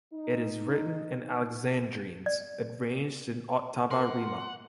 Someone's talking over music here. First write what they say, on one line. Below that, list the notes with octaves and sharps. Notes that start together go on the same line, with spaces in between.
It is written in alexandrines, arranged in "ottava rima".
D#4
D5
A#4 F#5 C6